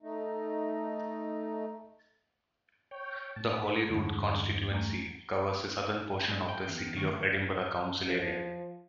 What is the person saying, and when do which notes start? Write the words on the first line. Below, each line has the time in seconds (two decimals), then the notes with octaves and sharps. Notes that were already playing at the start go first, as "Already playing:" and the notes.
The Holyrood constituency covers a southern portion of the City of Edinburgh council area.
0.02 A3 D#4
2.91 C#5 G5
3.36 A2 A5
3.62 G#2 A4 B5
3.90 E2 G2 D3 G#3
4.71 A3 G#5 A#5
6.28 G#2
6.49 G5
6.68 E2
6.96 A2 D#3
8.08 F3